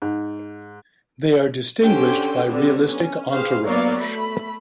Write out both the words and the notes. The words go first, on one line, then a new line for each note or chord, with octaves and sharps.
They are distinguished by realistic entourage.
G#2
D3 C#4 G4 C5 G5
D3 G3 B3 C4
C#4
G4 G#4 B4 C5 F5
F#3 A#3 B3 C#5 D5 F5
A3 B5